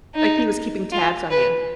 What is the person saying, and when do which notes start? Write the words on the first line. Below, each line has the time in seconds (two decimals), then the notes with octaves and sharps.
Like he was keeping tabs on you.
0.15 D#4
0.92 F4
1.31 B4